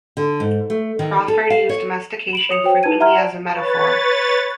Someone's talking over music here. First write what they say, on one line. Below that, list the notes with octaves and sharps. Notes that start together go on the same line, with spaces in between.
Crawfurd used domestication frequently as a metaphor.
D3
G#2
A3
D#3
A4
F5
C#5
B5 D7 F#7
C#5 D#6 C#7 F7
F#4 C5 C#5 G5
D#4 E4 B4 A5 G#6 D#7
E5 F#5 A#5 C6 F6 G#6
D5 A5 D7
B4 C#5 A6